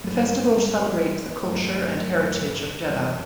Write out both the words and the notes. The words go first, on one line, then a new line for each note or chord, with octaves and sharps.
The festival celebrates the culture and heritage of Jeddah.
G2 F#3 A3
G3 B3
A3 C4
G3 B3
G2 F#3 A3
F#2 E3 G3